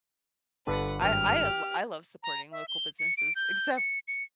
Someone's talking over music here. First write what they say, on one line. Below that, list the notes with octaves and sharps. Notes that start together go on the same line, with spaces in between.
I I l I love supporting local businesses, except
G1 D3 B4 F#5 A5
G#1 G2 G4 F6
G4
A#5
E5
G7
C#7
D7
G6
C#7
C#7